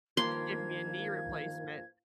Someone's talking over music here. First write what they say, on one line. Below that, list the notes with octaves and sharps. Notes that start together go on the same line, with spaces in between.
give me a knee replacement."
G2 D#3 F3 A#3 C6 G#6